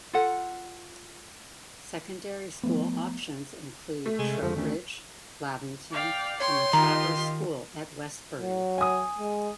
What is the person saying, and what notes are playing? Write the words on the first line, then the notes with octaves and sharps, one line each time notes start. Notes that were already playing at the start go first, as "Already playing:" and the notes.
Secondary school options include Trowbridge, Lavington, and Matravers School at Westbury.
F4 A4 F#5
F3 A3 B3
A3
C3 G#3
F2 D3 F3 G#3
D2 D#3 C#4
D5 F5 G5
C#5 G5 C6
D#3 F4 G4 D#5 A#5
F#3
G#5 D#6
G#3